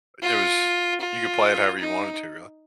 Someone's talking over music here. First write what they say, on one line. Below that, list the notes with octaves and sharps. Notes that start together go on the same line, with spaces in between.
It was you could play it however you wanted to, really.
F4
F4
D#4